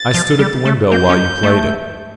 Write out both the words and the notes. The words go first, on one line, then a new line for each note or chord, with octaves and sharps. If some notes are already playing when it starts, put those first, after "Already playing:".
I stood at the window while you played it.
Already playing: A6
F3
G3
A3
A#3 G6
C#4
A3